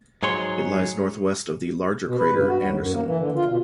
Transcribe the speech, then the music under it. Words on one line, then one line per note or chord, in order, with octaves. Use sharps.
It lies to the northwest of the larger crater Anderson.
G#2 F#3 G#4 C#5 C6
B2
B4
G2
F#4
D#2
F#2
A#3
E3
D3
F4
B2